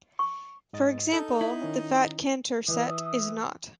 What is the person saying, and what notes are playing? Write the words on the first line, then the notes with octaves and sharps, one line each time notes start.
For example, the fat Cantor set is not.
C#6
G#2 D#5 A6
D#4 A4
E4
D#3 C#4
E3 E5 D#6